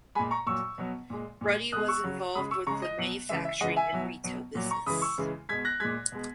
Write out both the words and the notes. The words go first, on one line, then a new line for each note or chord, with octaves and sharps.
Ruddy was involved with the manufacturing and retail business.
A#2 G#3 G#5 B5
A#5 C#6
A#2 F#3 C#6 E6
B2 F#3
A#2 G#3
A#2 G#3
B2 G#3 D#6 F#6
C#6 E6
C#3 F#3
C#3 G#3 B5 D#6
C#6 E6
C#3 G#3 A#5 C#6
D#5
B2 F#3
C#3 E3 G#3 E5
E5
C#3 E3 G#3 D#5 F#5
E5 G#5
B2 F#3
B2 F#3
A#2 F#3
A#5 C#6
C#3 E3 G#3 B5 D#6
C#6 E6
C#3 E3 G#3
B2 G#3 G#6 B6
F#6 A#6
A#2 G#3 G#6 B6
B2 G#3